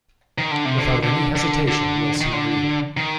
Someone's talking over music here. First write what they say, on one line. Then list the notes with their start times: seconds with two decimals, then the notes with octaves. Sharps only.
Without any hesitation Wilson agreed.
0.38 D#3
0.51 D3
0.65 C3
0.79 D3
1.03 D3
1.36 D3
1.68 D3
2.21 D#3
2.33 D3
2.97 D#3